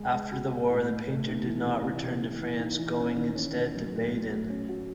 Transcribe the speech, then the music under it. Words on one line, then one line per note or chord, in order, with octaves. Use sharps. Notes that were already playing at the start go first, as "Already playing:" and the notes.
After the war, the painter did not return to France, going instead to Baden.
Already playing: G#3
G#3
F#4
F#4
A2
A2
A3
D#4
E3
C3
E3
C3
E3
E3
D#4
E3
C#4
D#3
C#4
D#3
F#3
A2
A2
F#3
C#4
F#4